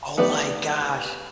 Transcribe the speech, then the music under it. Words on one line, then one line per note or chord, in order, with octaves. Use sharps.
Oh my gosh.
A3 B3 D#4 G4 D5